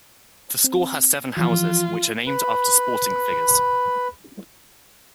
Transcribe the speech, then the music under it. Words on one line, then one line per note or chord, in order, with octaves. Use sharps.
The school has seven houses, which are named after sporting figures.
C4
E3 F3 F4
B4 B5